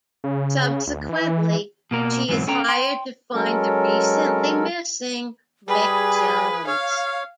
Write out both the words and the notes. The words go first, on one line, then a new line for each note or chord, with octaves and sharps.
Subsequently she is hired to find the recently missing Rick Jones.
C#3
D2
E3
B2 A#3 A#4
E2 G#2 B2 F#3 C4
C#4 A4 G5 A#5
G5 C6
F#3 G#3 C#4 A4 A#4
G3 G#4 B4
C#5 F5